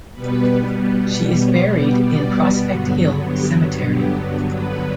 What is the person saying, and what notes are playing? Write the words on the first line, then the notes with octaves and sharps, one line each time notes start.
She is buried in Prospect Hill Cemetery.
B2 G3 B3 B4
C#5
D5
D5
G2 D3 F#3 B3
G4
G4
B4